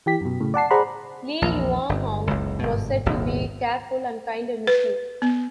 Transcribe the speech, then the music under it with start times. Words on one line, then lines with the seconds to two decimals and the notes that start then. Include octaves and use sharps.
Li Yuanhong was said to be careful and kind in his youth.
0.06 E3 G4 B6
0.21 F#2 B2
0.40 A2 C#3
0.54 D5 F#5 A5 C7
0.71 G#4 C5 D5 F#5 A#5 B5
1.42 A#1 E2
1.89 G1
2.27 F#1 C#2
2.59 G1 G#2 B2
3.06 D#1 G#1 D#2 C3
4.67 B4
5.22 B3